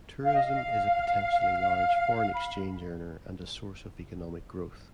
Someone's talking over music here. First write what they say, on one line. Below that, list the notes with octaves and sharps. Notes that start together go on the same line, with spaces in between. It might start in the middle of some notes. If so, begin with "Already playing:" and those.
Tourism is a potentially large foreign exchange earner and a source of economic growth.
F5
D#5
F5
B5